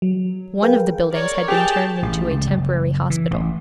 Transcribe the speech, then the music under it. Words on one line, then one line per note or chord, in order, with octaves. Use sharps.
One of the buildings had been turned into a temporary hospital.
F#3
G#4 A#4 B4 F5 G5
A#4 C#5 D5
G4 G#4 G5 A5 F7
A1
C#2
F#1
E3
A1